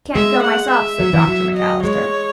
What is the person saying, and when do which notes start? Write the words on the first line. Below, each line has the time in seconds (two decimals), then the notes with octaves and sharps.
"Can't go myself," said Dr. McAllister.
0.15 G#3 E5
0.44 F#5
0.71 E5
1.00 F#3
1.13 E3
1.27 F#3
1.55 D#5
1.84 G#3 C#5